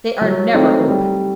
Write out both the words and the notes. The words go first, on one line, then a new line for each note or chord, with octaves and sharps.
They are never open.
F#3
A3 C4 D#4
G3